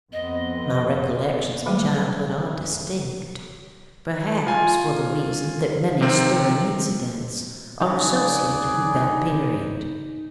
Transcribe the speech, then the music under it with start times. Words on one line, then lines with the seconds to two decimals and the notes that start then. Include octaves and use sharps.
My recollections of childhood are distinct, perhaps for the reason that many stirring incidents are associated with that period.
0.12 F2 B3 C4 D#5
1.66 D#3 F#3 G3 A3 A#3 G#4
4.47 F4 G#5
6.01 C3 D#3 C4
7.81 C#3 F#3 D#4 G#4 B4 D5 F5
8.96 D#4